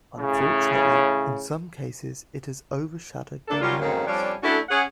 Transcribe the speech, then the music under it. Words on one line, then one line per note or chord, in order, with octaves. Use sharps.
Unfortunately, in some cases it has overshadowed their merits.
A2 C#3
A#3 D4 A4
D#3 F#3 G3 C#4 F4
F2 G#2 D#3 F#3 A#3 C#4
F2 F3 G3 C#4 D4 C#5
A3 C#4 D4 E4 F#4 A4
C#4 G#4 F#5